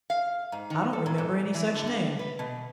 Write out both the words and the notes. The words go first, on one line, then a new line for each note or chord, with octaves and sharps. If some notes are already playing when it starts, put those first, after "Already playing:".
'I don't remember any such name!'
F5
G#2
D#3
A4
A#2
G#2
E3
D3
G3
B4
B2